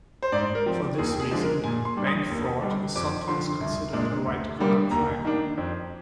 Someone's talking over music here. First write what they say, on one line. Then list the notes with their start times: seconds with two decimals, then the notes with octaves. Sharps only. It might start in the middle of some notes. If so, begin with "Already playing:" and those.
For this reason, bank fraud is sometimes considered a white-collar crime.
0.22 C5
0.32 G#2 D5
0.55 A#4
0.66 F3 C4
0.98 D#2 G#4
1.20 G#4
1.31 D3 F3 G#3 D4
1.42 A#4
1.64 A#2 G#5
1.85 C6
1.96 G3 D4
2.07 D#6
2.30 D#2
2.62 D3 G3 D4
2.96 F2 D6
3.28 D3 F3 C6
3.61 C2
3.93 A#2 G#3 D4
4.25 D2
4.58 D3 G3 A#3
4.91 D#2 A#5
5.25 D#3 A#3 D4
5.57 F2